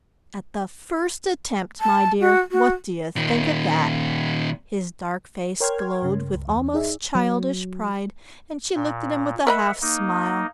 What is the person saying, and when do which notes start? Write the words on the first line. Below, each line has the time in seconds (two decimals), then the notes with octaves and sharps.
"At the first attempt, my dear, what do you think of that?" His dark face glowed with almost childish pride, and she looked at him with a half-smile.
1.81 A5
2.21 F#4
2.52 F#4
3.16 A#2 D#3
5.60 A#4 C#5 G5 C6 F6 G#6
6.02 G2 C#3
6.34 C#2
6.48 E2
6.74 D#4 G#4 D5 E5
7.15 F#3
8.75 A#2
9.47 A#4 D#5 E5 F#5 B5
9.82 A#3 D#4